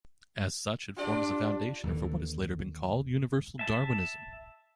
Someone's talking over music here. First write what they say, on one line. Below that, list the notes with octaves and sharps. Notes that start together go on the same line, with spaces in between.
As such, it forms a foundation for what has later been called universal Darwinism.
D4 F4 G4 D5
D#2 D3 E3
E5 A5